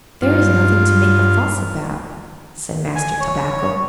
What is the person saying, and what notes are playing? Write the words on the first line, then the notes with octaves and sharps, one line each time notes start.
"There is nothing to make a fuss about," said Master Tobacco.
G2 F4
G#5
C#5